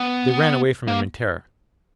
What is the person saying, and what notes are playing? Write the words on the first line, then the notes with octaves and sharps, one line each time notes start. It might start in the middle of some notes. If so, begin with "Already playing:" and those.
They ran away from him in terror.
Already playing: B3
A#3